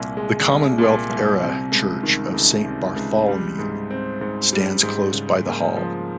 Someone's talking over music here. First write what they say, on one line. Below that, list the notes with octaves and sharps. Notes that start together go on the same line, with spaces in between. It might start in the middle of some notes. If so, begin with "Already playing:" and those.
The Commonwealth era church of Saint Bartholomew stands close by the Hall.
Already playing: C2 A#2
G#3
C2
A#2
C2
C3
C#2
D#3
C#2
C3
C#2
G3
G#2
C4
G#2
G3
G#2
C#3
A#3
F3